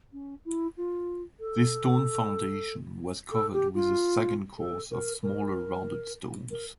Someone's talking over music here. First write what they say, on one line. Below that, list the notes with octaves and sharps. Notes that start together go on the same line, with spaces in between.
This stone foundation was covered with a second course of smaller rounded stones.
C#4
E4
F4
A4
A4
G4
F4
A4
A#4
A#4
A#4